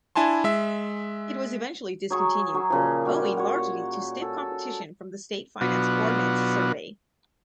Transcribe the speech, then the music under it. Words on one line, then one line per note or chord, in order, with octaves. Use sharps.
It was eventually discontinued owing largely to stiff competition from the state-financed Ordnance Survey.
D4 E4 G#5 A5 C6
G#3 E5
F#3 G#4 C#6
F#3
A#2 C#3 F3
G3 F#4 F5
C#5 F#5
A4
B2 F#3 B3 D4 F4 F#4